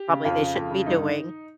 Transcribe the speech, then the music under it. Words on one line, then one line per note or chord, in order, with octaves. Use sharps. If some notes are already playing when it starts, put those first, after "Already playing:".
probably they shouldn't be doing.
Already playing: G4
C#3
F2 F4
C#3
F2
C#3
G2 D#4
D#3